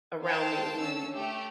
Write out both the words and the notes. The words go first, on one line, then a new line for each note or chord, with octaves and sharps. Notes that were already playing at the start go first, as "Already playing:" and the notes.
around me who
C5 F5 G5 A5
C#4 A5 E6
A3 G4